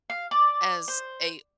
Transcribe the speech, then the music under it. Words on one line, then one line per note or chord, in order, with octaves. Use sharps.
as a
F5
D5
C5